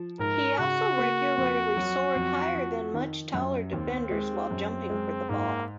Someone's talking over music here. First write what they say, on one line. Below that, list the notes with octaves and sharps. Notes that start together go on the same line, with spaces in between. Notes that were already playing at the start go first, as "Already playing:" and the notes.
He also regularly soared higher than much taller defenders while jumping for the ball.
Already playing: F3
G#2 A#4
C#3 F#4
A#3
F2
F#3
F2
F3
D#3
F#2
D#2 C4
G#3
F#2
G#3
G#2 A#3